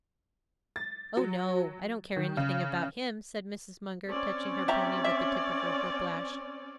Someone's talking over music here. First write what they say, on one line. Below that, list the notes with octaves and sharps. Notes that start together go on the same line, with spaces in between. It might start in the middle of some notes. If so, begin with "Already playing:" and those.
"Oh no; I don't care anything about him," said Mrs. Munger, touching her pony with the tip of her whip-lash.
A6
F#3
D#3
C#3
C4 C#4 D5
G4 E5 A#5
E5